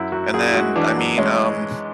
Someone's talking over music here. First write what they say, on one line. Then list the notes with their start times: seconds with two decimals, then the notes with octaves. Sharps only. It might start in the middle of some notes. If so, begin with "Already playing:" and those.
And then I mean, um.
Already playing: F#2 E4
0.12 F#2 F#4
0.34 F#2 G#4
0.47 E4
0.54 G#3 F#4
0.75 E3 D4
0.97 F#2
1.18 G#3 C#4